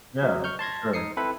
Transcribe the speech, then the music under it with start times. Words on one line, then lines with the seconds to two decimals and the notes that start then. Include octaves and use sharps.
Yeah, for sure.
0.23 F#3
0.44 C#6 F6 G6
0.59 A5 C6 G#6 A#6
0.93 D#4 D#6 C7 C#7
1.17 C4 E4 A4 B4 C5 B5